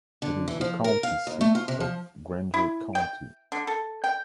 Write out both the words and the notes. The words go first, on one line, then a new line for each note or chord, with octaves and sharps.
It is the county seat of Grainger County.
D3
E3
F3
A#4
F5
D#2
A3
F4
C3
F3
E4
G5
D3
A4
G5